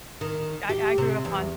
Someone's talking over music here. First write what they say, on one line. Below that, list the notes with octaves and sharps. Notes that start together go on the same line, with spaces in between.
I I grew up on
D#3
G4
C3
E2